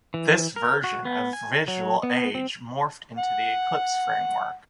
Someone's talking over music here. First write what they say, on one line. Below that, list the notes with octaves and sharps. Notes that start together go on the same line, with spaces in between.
This version of VisualAge morphed into the Eclipse Framework.
E3
A#4
F#4
B3
G#5
F#3
B3
C4
F#5